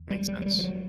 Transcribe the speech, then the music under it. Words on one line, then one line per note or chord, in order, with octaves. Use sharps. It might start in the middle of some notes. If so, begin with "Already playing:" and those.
Makes sense.
Already playing: E2
G3
G3
F#3
G3
F3
F#3